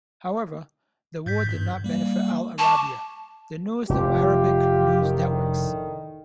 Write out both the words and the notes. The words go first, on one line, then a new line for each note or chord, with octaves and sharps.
However, the war did not benefit Al-Arabiya, the newest of Arabic news networks.
G#2 G6 B6
G2
G3 A#3
A5 C#6 D6
F1 F4 G4
A2 D3 D#3